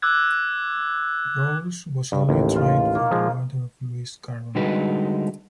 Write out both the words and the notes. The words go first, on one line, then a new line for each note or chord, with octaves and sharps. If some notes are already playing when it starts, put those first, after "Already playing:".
Rowles was only tried for the murder of Louis Carron.
D6 E6 F#6 G#6
G2
A1 D#2
F4
D#3 A#3
F3 G#3
D3 G3 G#3 D#4 F#4 B4